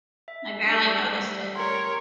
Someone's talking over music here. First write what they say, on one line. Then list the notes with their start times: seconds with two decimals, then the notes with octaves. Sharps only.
I barely noticed it.
0.28 E5
0.67 G3 D4
1.05 A3 A4
1.55 A#4 C#5 C6